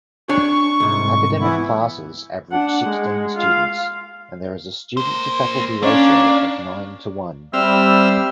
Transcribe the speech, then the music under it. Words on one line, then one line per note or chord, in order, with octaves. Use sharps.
Academic classes average sixteen students, and there is a student-to-faculty ratio of nine-to-one.
D4 C#5 C#6
C2 G#2
E3 B3 E4
D4 F#5
G#3
F4 F5
A#3 C5
A#3 C#4 D4 C#5
G3 C4 E5 E6 F6